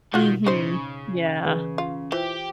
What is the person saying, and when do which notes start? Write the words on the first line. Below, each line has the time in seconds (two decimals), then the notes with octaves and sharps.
Mhm. Yeah.
0.14 B2 D#3 F4 F#4
0.47 C#3 D#4 C5
1.45 E3 G#4 B4
1.78 F4
2.12 E3 F4 G4 C5 G5